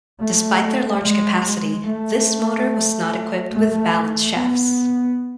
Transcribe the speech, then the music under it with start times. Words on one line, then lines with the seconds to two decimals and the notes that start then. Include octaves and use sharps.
Despite their large capacity, this motor was not equipped with balance shafts.
0.19 A3
1.02 G#3
1.44 G#3
1.85 A3
3.51 A3
4.34 B3